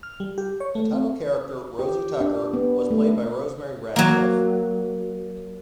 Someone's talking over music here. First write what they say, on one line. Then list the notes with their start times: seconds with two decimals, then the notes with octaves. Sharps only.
The title character, Rosie Tucker, was played by Rosemary Radcliffe.
0.03 F6
0.20 G3
0.38 G4
0.60 C#5
0.75 A3
0.93 C4
1.79 G4
2.21 D4
2.53 B3
2.91 A3
3.96 F#3 A#3